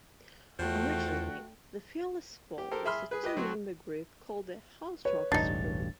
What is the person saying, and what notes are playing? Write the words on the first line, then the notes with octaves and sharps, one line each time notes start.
Originally, the Fearless Four was a two-member group called the Houserockers Crew.
E2 F3 A3 F#4 G5
G4
G4 A4 A#4 C5
G#4 E5 B5 C6 F6
G#4 B4
G4 B4 D#5
F#3 C4 F#4
B4 C#5
E1 A1 G2 D4 D#4 A6